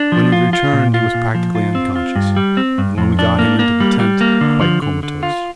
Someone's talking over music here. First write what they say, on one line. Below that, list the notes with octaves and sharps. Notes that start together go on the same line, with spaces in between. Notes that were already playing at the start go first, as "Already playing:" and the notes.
When we returned he was practically unconscious, and when we got him into the tent quite comatose.
Already playing: D4
F3
F4
F4
A#2
F4
A#2
F3
F4
C4
F4
G2
G3
C4
G2
F2
D4
A#3
A#3
G3
G3
A#3
D3
F3
D3
D3
F4